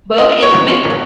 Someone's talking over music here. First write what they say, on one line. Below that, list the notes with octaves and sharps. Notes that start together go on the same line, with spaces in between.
Burk and Smith?
F4 D#5
F#3 C#5
F4
F#3